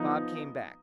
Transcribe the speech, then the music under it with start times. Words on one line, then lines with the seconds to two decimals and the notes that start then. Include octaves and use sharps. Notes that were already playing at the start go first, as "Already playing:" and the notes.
Bob came back.
Already playing: F3 B3 D#4